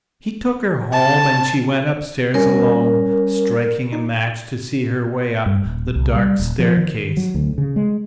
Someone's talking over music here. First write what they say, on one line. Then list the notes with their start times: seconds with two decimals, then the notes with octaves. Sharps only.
He took her home and she went upstairs alone, striking a match to see her way up the dark staircase.
0.92 A5
2.34 G3 C#4 A#4
3.93 D#4
5.46 G2
5.65 D#1
5.96 C2
6.16 G3
6.39 D#1
6.59 F3
6.77 D#3
7.17 F#3
7.35 D2
7.58 C#3
7.76 G#3